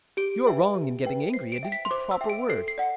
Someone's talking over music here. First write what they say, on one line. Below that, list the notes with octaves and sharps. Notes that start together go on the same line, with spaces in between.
"You are wrong in getting angry; it is the proper word."
G4 D7
B4 E5 G5
G4
B4 E5 G5
C5 C7
D7
E5 G5
B6
C6
C5 D6
E6
E5 G5
D7
A4 C7
C7
D5 F#5